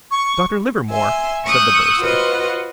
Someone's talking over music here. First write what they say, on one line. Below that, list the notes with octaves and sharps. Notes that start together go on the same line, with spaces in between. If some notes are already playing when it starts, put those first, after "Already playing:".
"Dr. Livermore?" said the bursar.
C#6
E5 G#5 C6
C#6 D#6 E6 F#6 G6
F4 F#4 B4 C5 D#5